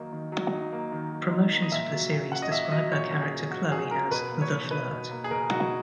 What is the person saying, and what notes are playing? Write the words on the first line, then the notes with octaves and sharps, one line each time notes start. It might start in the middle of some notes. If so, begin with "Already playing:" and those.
Promotions for the series describe her character Chloe as "The Flirt".
Already playing: D#3 F#3 A#3 D#4
D#3
F#3
D#4
A#3
D#3
F#3
D#4
A#3
D#5
A#2 E5
F#3
A#2
C#4 F#5
D#5
A#2 E5
F#3 D#5
A#2 C#5
C#4
G#4
A#2
F#3 F#4
A#2 G#4
C#4 A#4
B2 B4
A#3
C#5
B2
D#4 B4
B2
A#3
G#4
B2 A#4
D#4 F#4